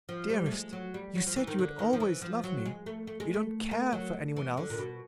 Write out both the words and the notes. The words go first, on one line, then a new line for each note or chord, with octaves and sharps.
Dearest, you said you would always love me--you don't care for anyone else.
F3
G3
A3
G#3
F#3
G3
F#3
F3
E3
D#3
D3
D#3
F3
E3
F3
F#3
G#3
A3
A3
G#3
A3
A#3
F#3
E3
D3
A#2
B2